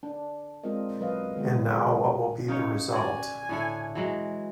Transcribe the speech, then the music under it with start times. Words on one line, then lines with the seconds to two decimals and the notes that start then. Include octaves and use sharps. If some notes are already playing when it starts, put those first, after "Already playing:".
And now what will be the result?
0.03 D4
0.64 G#3 C4 F4 A#4 D#5
1.00 F#3 B4 D#5 F5
1.36 D3 F3 G#3 B3 F#4
1.72 G#4
2.48 C#3 D#4 C#5
2.93 F#4 D5 G#5
3.49 A2 D3 A3
3.95 E3 F#3 G#3